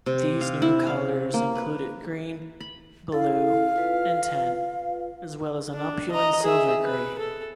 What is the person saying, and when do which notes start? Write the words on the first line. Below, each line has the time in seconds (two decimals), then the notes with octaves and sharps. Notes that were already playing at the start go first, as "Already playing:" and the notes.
These new colors included green, blue and tan as well as an opulent silver-gray.
0.06 C3
0.41 F5
0.62 E4
0.87 F5
1.34 A#3
1.55 B4
2.60 B5
3.12 E4 A4 F5
3.76 F4 B4
5.74 D4
6.11 D#5 A#5
6.43 G#4 E5
6.83 B4
7.19 A4